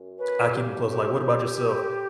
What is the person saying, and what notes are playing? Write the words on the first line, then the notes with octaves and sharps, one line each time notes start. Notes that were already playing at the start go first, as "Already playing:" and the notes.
I keep 'em close, like What about yourself?
Already playing: F#2
C#4 B4
F#3 G4
C#3 G4